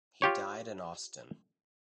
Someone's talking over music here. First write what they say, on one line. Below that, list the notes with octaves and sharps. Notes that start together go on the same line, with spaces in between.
He died in Austin.
F4 G4 C#5